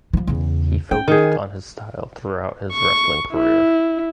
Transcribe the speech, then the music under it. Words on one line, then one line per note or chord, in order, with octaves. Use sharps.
He focused on this style throughout his wrestling career.
E3 F3
E2 C#3
C#4 G5
D#3 G#4
C#6
E4